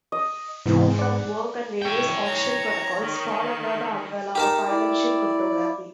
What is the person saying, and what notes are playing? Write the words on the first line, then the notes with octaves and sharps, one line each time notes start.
Proof of work and various auction protocols fall under the umbrella of Financial Cryptography.
D#5
G#2 C3 E3 B3
D5 F#5
C#5 G5
A#5
D#3
D#4 G4 A#4 A5
E4 D5